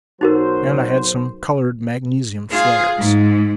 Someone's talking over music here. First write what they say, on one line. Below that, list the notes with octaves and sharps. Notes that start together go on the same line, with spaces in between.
And I had some colored magnesium flares.
B1 F#3 D#4 F#4 A#4 C5
F4 G#4
G#2